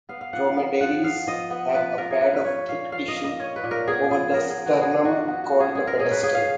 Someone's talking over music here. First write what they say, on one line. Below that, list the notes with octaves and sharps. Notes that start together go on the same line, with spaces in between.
Dromedaries have a pad of thick tissue over the sternum called the "pedestal".
B3 F5
F5
F3 F#5
F5
B3 F5
F3 F#5
B3 F5
F3 D#5
B3
F3 B4
F3 A#4
G#4
A#3 B4
B4
C#4 C#5
A#2 F5
F3 F5
D#5
A#3
D#5
C#4 C#5
B4
A#2
A#4
B3 G#4
F3 G#4
B3 A#4
G#4
F3
F#4
B3 G#4
F3 F#4
B3 F#4
F#4
F3
G#4
G#3 G#4
A#4
C#4 G#4
B4
C#3 G#4
F5